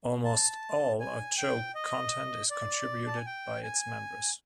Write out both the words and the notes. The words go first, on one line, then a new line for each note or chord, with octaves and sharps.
Almost all of Chowk content is contributed by its members.
A5
G#5
G5
D#5
D5
A5
G#5
G5
G#5